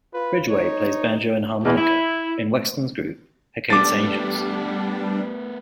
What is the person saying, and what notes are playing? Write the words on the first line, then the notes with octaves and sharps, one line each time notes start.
Ridgway plays banjo and harmonica in Wexstun's group Hecate's Angels.
F4 B4
D#4 C#5
E2
E4
G3 A3 B3 D4 D6 A6